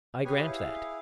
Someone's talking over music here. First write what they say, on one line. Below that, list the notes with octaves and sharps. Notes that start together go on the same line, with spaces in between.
I grant that.
G4 G#4 B4 C#5 G#5
E4 G#4 F5